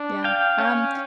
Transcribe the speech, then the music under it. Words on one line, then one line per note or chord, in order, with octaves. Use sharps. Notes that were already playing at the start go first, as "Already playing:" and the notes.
Yeah, um,
Already playing: D4
F5 G5
C#4